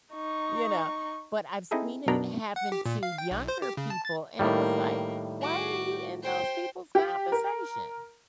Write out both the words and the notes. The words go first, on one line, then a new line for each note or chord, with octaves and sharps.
you know, but I've seen it happen to younger people, and it was like, "Why are you in those people's conversation?"
D#4 C#6
C4 D#4 E4 G#4 A4
B1 F#2 B2 D4 A#4 A#5
F#5
G4
A#2
F5
G5
B1
C5
G4
C#3
A5
A6
A2 D#3 G3 A#3
F#4 D6
C5 G5
G4
A#4